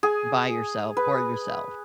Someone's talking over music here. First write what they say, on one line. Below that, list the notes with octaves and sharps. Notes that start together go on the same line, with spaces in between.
by yourself for yourself,
G#4
B4